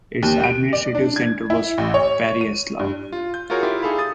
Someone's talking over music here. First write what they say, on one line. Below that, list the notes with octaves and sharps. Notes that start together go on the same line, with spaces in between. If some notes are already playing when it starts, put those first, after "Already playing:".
Its administrative centre was Pereyaslav.
D#2
D7
D5
D4
G#6
E4
A1
C#5
D#7
G2
F4
G6
F4 F#4 G#4 A#4 C#5
E4 F4 G4
D#4 G#4 A4 F5 B5
D#6 A6